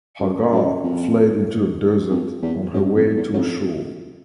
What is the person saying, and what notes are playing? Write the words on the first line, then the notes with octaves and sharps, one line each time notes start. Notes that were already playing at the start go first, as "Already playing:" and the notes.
Hagar fled into the desert on her way to Shur.
F#2
F#2
F2
F2
E2
F#2
F2
E2
F#2
F2